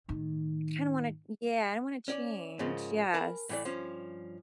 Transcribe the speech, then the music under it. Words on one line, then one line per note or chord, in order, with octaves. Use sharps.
kinda wanna Yeah, I don't wanna change, yes.
A2 D#3
C#4 D5
G#2 C#3 F3 A#3
A#4 G#5 A5 B5
A2 E3 D5
G2 F3 C#4